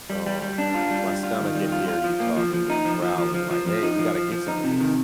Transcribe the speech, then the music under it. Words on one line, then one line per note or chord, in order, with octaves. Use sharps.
Oh, my stomach can hear you talking. It's growling like, "Hey, we gotta get some of this.
G3
G3
G3
D4
F4
G3
G3
F4
D#3
G3
F4
F4
F3
A#3
F3
F3
D#4
F3
F3
F3
F3
F3
F3
D#4
F3
F3
F3
D#4
C3
D#3